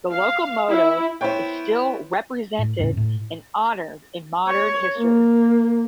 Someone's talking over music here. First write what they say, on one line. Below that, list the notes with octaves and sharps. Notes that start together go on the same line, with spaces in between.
The locomotive is still represented and honored in modern history.
F5
E4
B3 E4 C5 C#5 G5
A2
G1 E2 A2 C#3
A2
C#5
A#3